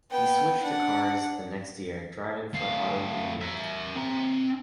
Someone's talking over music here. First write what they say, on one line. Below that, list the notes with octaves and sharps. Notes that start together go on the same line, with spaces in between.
He switched to cars the next year, driving for Auto Union.
B3 G5
D4 F#5
A2 F5
A#4 E5
C4 A#5